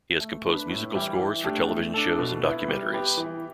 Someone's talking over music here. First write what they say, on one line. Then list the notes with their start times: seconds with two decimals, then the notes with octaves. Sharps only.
He has composed musical scores for television shows and documentaries.
0.20 A3
0.46 D4 B4
0.70 A2
0.94 E3 G3 E4 G4
1.19 E3
1.44 A3 D4 G4
1.68 A3
1.94 D4 A4
2.19 B2
2.43 B3 E4
2.68 G3
2.93 B3 G4 B4
3.18 E3